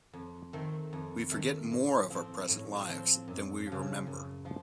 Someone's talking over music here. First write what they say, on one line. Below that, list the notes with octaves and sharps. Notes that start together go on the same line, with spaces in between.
We forget more of our present lives than we remember.
F2
D#3 A3 C4
F2
D#3 A3 C4
A2
F3 C4
A2
F3 C4
F#2
F3
C#3
F#2
F3